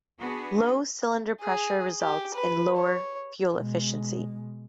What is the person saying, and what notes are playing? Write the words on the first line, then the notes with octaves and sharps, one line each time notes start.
Low cylinder pressure results in lower fuel efficiency.
B3 D4 F#4 G#4
G#4
G4
B4
C#5
B2 G#3